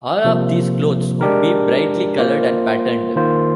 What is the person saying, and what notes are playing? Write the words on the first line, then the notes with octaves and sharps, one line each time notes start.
All of these clothes could be brightly colored and patterned.
C3 F3 A#3
G#3 D4 G4 A#4
A#3 F4 C5
D#3 A#3 F4 C5